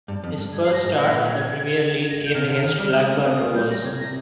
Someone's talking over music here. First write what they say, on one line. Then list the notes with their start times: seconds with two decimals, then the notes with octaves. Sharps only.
His first start in the Premier League came against Blackburn Rovers.
0.08 G2
0.23 F2
0.38 G2
0.53 G2 G#6
0.64 C7
0.73 A#6
0.84 G#2
0.94 A#2 G#6
2.10 A#6
2.18 G#6
2.26 G6
2.34 C3 F6
2.49 D3
2.64 D#3
2.79 G3
2.84 F6
2.94 G#3 D#6
3.09 G#3
3.24 C4 D#6
3.40 A#3
3.46 F6
3.54 G3 G6
3.69 G3 A#6
3.80 A#6
3.84 C3 G#6
4.00 C3 A#6